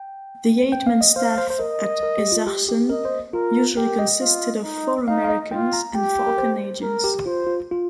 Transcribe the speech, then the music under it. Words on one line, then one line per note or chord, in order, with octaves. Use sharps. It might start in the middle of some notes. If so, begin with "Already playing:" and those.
The eight-man staff at Isachsen usually consisted of four Americans and four Canadians.
Already playing: G5
G5
F5
D#5
C5 F5
C5
C5
A#4 D#5
A#4
G4
F4
G4
G4
A#4 D#5
C5
F4 A#4
G4 A#4
D#5
F4
D#4
D#4 F5
F5
D#5
F4 G5
A#5
G4 G5
A#4
C5
A#4
G4
F4 C5
F4
F4